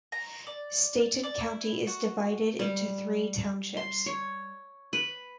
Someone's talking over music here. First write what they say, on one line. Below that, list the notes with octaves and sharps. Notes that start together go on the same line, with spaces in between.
Stanton County is divided into three townships.
A#5
D5
D5
E4
F#4
G3
C6
C#5
B4